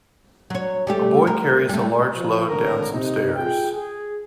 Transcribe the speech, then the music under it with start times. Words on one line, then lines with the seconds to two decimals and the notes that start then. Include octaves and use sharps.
A boy carries a large load down some stairs.
0.50 F#3 C#5
0.87 G3 A3 G4
1.27 A#4
1.69 G3 A3
2.15 F3
2.47 G#1 D3 A#4
2.93 C3 D#4
3.35 F4 G#4 G5
3.73 G#4